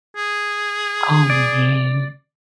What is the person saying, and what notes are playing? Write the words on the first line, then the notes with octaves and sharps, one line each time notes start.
Oh, man.
G#4
D5